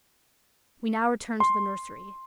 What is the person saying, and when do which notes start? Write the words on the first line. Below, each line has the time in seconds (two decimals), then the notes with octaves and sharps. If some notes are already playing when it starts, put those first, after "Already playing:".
We now return to the nursery.
1.40 C6